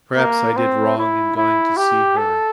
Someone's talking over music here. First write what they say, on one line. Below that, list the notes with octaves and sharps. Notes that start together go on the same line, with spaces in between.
Perhaps I did wrong in going to see her.
A#3
C4
E4
E4
G4
A4